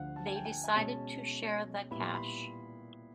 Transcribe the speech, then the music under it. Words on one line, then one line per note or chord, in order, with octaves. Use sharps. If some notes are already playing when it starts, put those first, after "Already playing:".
They decided to share the cash.
Already playing: D2 D3 F3 F5 F#5
A5
G#5
G5
G#5
G#5
B2 G#3 C#4 A5
A#2 G3 B3 E4 B5
C6
B5